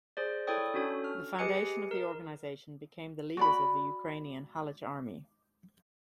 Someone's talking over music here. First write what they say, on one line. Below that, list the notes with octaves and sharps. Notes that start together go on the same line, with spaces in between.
The foundation of the organization became the leaders of the Ukrainian Halych Army.
G#4 C5 D5
E4 A4 C#5 D5 G5 D#6
C#4 D4 F#4 A4 C#5
F6
G4 G#4 B4 D#5 G#5 C#7
A#4
F#4 D5 B5